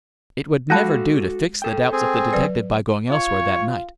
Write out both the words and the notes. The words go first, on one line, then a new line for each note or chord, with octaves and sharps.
It would never do to fix the doubts of the detective by going elsewhere that night.
G#3 F#4 A4 F5 A5 B5 F#6 A#6
A4 G5
C4 G#4
F#3 B4 D5
F4 C#5